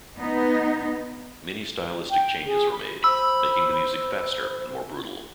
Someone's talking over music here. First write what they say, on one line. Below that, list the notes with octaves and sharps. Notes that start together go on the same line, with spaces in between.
Many stylistic changes were made, making the music faster and more brutal.
B3 D#4
G5
G#4
B5
C5 B5 E6